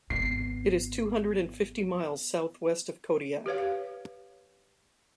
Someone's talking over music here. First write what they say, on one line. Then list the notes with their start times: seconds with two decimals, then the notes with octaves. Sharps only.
It is two hundred and fifty miles southwest of Kodiak.
0.10 G#1 B3 C7
3.46 G4 B4 C#5 F5